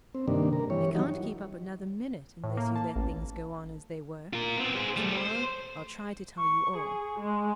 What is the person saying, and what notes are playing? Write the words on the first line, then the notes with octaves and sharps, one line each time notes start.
I can't keep up another minute unless you let things go on as they were. Tomorrow I'll try to tell you all.
C4
G2 C3 D#3 A#3 D4
A#4
E3 G3 C#5
E3 F#3 G3 D#4
A2
A#3
A5
A1
F4 A#4
B3 C4
G#4 C5
G3 A3
C5
C#6
G#4
G#3